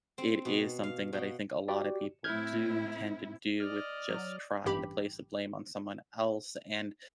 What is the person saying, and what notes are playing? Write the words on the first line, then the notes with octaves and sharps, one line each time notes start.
it is something that I think a lot of people do tend to do with just trying to place the blame on someone else, and,
C4
B2
F5
B2
F#4 G4 D5
A2 C4 E4 F6 G6 G#6
D5 D#5 F6
F#3
A1 G2 G4 B5